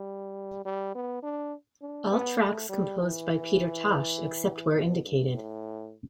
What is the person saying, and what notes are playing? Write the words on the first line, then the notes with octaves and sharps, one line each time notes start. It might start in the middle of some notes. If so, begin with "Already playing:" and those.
All tracks composed by Peter Tosh except where indicated.
Already playing: G3
G3
B3
D4
D4
B3
A3
G3
E3
B2
G2
A2